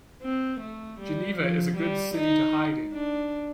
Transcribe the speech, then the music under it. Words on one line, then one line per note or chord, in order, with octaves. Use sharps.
Geneva is a good city to hide in.
C4
A3
G3
F3
G3
D#4
D4